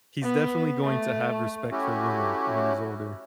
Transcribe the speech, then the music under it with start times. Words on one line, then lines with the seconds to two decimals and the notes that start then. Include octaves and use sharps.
he's definitely going to have respect for women when he's older.
0.23 B3
0.84 A3
1.71 F#3 A3 C#4 E4 F#4 G4